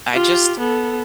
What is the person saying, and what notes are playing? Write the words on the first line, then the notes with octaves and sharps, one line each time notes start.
I just
F4 G4
B3 A4